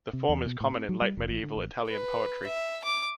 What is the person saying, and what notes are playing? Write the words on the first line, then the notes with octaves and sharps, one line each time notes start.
The form is common in late medieval Italian poetry.
C3
E2
B2
A2
C4
F#3
G3
F1
A1
D3
A1
B4
E5
D6